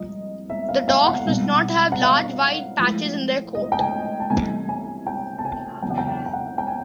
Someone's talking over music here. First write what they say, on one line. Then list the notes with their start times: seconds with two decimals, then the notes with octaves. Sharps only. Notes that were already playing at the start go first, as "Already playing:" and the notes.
The dogs must not have large white patches in their coat.
Already playing: C2 A#2 F3 G#3 D#5
0.50 E5
0.69 F5
0.88 F5
1.07 F#5
1.25 C2 B2 G#3
1.92 F#5
2.02 F5
2.78 A2 F3 G#3
3.55 D#5
3.72 G5
3.80 G#5
4.20 A5
4.30 C2 C3 E3 A3 G#5
4.69 G#5
5.07 G5
5.38 A5
5.45 G#5
5.82 E2 C#3 F#3 G5
5.90 F#5
5.98 G5
6.07 F#5
6.26 G5
6.33 F#5
6.58 G5
6.67 G#5